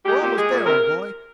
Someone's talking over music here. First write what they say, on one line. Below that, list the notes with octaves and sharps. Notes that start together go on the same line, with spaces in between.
We're almost there, old boy.
G#3 G4
A#2 G4
G#3 G#4
A#2
C3 A#4